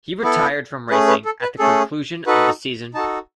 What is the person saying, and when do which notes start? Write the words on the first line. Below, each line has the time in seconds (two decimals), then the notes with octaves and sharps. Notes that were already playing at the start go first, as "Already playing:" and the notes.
He retired from racing at the conclusion of the season.
0.22 B3 E4 A4
0.90 A3 C#4 G#4 B4
1.08 B4
1.25 A4
1.42 B4
1.59 A3 C#4 G#4 A4
2.27 D#4 F#4 A4 B4
2.94 D#4 F#4 A4 A5